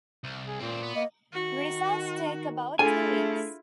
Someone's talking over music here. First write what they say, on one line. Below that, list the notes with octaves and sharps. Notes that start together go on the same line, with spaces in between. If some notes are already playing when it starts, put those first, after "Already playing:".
Results take about two weeks.
C2
G#4
C#2 A#2 C4
B3
A#3 D#5
D#3 F#4
A3 D4 E4 F4 G#4 A4 G#5